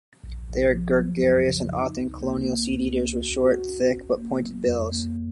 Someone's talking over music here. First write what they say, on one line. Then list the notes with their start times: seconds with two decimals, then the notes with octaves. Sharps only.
They are gregarious and often colonial seed eaters with short, thick, but pointed bills.
0.24 A#1
0.49 A#1
0.73 F3
0.98 F#3
1.22 F2
1.47 C#3
1.72 D#4
1.96 C#2
2.21 A#3
2.45 A#3
2.71 C#2
2.95 C#4
3.19 F#4
3.44 F#4
3.68 C#4
3.93 G#1
4.18 A#3
4.42 F#3
4.67 F2
4.92 A#3